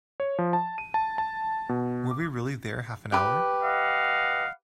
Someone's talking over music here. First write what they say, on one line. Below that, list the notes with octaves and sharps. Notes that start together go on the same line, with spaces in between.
Were we really there half an hour?
C#5
F3
A5
D#7
A5
A5
B2
D6
G4 B4
D#5 F5 F#5